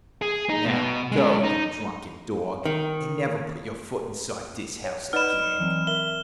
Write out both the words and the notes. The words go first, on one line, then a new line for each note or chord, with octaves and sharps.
"Now, go, you drunken dog, and never put your foot inside this house again."
G#4
D#4
B2
G#3 C#4
D#4
D#3
C#5
D#4 B4 D5 D#5 F#5 B5 F6 E7
E3 F#3 C4
A#4 E5 G7